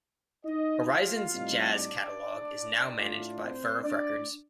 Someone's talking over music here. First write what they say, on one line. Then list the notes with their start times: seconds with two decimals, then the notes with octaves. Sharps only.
Horizon's jazz catalogue is now managed by Verve Records.
0.45 D#4 D#5
0.87 F4 F5
1.30 A2 G3 C4 D#4
1.72 D4 D5
2.99 A2 A3 D4 F4
3.41 C4 C5
3.84 D4 D5